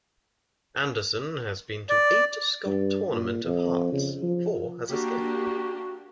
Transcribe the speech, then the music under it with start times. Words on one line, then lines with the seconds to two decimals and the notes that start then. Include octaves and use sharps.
Anderson has been to eight Scott Tournament of Hearts, four as a skip.
1.89 D5
2.66 G2
3.12 A#2
3.45 F2
3.92 C#3
4.23 F3
4.89 A#3 D4 F#4 G4